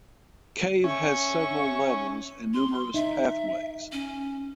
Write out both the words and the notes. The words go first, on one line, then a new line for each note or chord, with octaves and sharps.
Cave has several levels and numerous pathways.
C#4 E5 C#6
C6
D#4 E5
C#4